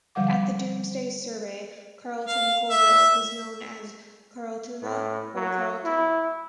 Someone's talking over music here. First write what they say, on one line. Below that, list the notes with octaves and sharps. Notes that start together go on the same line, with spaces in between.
At the Domesday survey Carlton Colville was known as Carletuna or Karletun.
D3 F3 G3 F5 F#5 D6
F5
E5
A2
F#3
E4